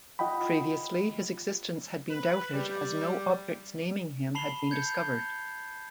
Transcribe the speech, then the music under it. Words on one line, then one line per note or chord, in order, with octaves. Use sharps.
Previously, his existence had been doubted as no objects naming him had been discovered.
F4 D#5 F#5 G5 B5
B4
G3
A5 B5 C7 F7 G7
G6 G#6 C#7